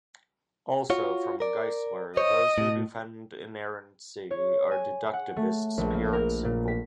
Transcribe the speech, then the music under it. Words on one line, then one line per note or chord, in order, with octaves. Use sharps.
Also, from Geisler:Those who defend inerrancy are deductivists pure and simple.
F4 F#4 C#5
A#4 D5
C5 C#5 D#5
A2
C#5
G#5
F#5
A3
A#1
A#3
A#4
A#2
B6